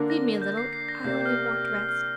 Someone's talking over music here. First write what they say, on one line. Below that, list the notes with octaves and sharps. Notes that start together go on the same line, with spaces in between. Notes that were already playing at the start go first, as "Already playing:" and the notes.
"Leave me a little--I only want rest."
Already playing: D3 A#3 D4 A#4
A#6
G6
C7
C7
A#6
C3 A#3 G4 D5 G6
G6
F6
F6
F6
F6